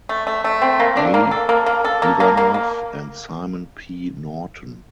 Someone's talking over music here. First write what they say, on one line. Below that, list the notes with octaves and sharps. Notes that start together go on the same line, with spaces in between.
A. Ivanov and Simon P. Norton.
A3
A3
A3
C4
A#3
D4
A#3
A4
A#3
A#3
A4
A#3
A#3
A#3
A#3